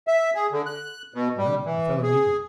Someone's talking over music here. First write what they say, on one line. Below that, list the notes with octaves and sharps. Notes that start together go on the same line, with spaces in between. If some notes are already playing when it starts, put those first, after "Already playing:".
"No, the fellow needn't."
E5
G#4
D3
F#6
B2
G3
E3
G#4